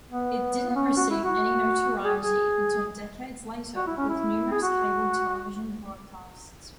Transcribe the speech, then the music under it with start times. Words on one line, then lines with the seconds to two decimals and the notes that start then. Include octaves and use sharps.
It didn't receive any notoriety until decades later with numerous cable television broadcasts.
0.11 B3
0.70 B3
0.75 C#4
0.97 F#4
1.10 E4
1.24 F#4
2.04 G#4
2.24 G#4
3.76 F#4
3.87 E4
3.98 C#4
4.09 E4
4.52 G#4
4.62 F#4